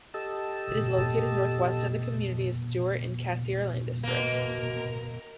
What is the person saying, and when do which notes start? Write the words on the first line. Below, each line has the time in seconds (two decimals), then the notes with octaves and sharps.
It is located northwest of the community of Stewart in Cassiar Land District.
0.14 G4 A4 D#5 A5 E6
4.03 B2 A#3 A#4